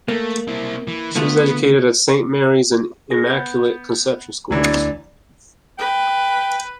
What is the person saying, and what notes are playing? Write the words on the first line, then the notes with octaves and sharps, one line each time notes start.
He was educated at Saint Mary's and Immaculate Conception Schools.
A3 A#3
C4 E4
E3
D3 A3 B3 F4
G#4 A#6
B3 G6
D2 D3 E3 F#3 D5
B4 G5